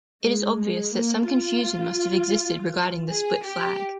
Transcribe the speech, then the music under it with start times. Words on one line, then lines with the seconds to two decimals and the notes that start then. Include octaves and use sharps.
It is obvious that some confusion must have existed regarding the "Splitflag".
0.24 G#3
0.59 G#3
0.94 A#3
1.31 F4
3.10 G#4
3.46 G4